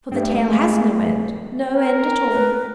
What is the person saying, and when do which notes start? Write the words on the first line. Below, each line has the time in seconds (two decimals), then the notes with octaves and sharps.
For the tale has no end, no end at all.
0.12 G2 A3 B3 C4
0.47 G#3
1.76 A#4
2.31 B4